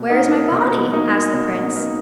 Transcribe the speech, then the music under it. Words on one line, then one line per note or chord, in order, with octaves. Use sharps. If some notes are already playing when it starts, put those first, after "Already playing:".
"Where is my body?" asked the Prince.
Already playing: B2
A#3 D#4 A#4
B2
A#3 D#4 A#4
B2
A#3 D#4 A#4